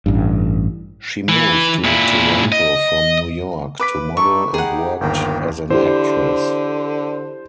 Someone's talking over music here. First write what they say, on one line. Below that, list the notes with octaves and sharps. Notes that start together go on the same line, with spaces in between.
She moved to Toronto from New York to model and worked as an actress.
A1 G2
E3
A#2 E4
D#5
B4 B5 D6 B6
D#4 A4 C#6
D#4 G4 G#4 F#5
G1 D#2 A#3 A#4 G5
D3 E4 G4 C5